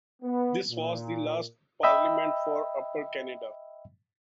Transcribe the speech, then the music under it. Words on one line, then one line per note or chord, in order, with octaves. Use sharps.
This was the last parliament for Upper Canada.
B3
A#2
D#5 E5 G5 B5 E6